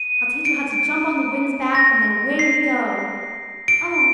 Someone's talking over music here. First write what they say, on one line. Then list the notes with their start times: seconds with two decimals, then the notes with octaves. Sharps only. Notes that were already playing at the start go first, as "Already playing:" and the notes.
"I'll teach you how to jump on the wind's back, and then away we go."
Already playing: D#7
0.45 D7
1.75 A#6
2.39 C7
3.68 D7